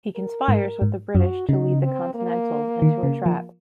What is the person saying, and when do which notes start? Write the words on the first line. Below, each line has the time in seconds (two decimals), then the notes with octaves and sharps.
He conspires with the British to lead the Continentals into a trap.
0.16 A#4
0.48 G#2
0.82 G#2
1.15 F#2 F#4
1.49 C#3 D#4
1.82 C4
2.15 A#3
2.82 D#3
3.03 C#3
3.26 F3